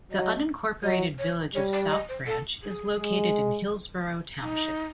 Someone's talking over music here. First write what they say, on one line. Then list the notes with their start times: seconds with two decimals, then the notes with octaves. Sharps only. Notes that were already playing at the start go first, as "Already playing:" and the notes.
The unincorporated village of South Branch is located in Hillsborough Township.
0.12 F#3 D#5
0.83 F#3 D#5
1.19 C#5
1.55 G3 C#5
1.73 D5
1.91 D#5
2.09 C5
2.27 A4
2.62 G#4
2.98 G#3
4.41 D#4